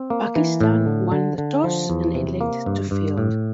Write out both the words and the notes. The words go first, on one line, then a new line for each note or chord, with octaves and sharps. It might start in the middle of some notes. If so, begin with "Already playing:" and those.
Pakistan won the toss and elected to field.
Already playing: C4
A#3
E3
A2
D3
D3
D3
F3
E2
C3
A#3
G2
G2
A2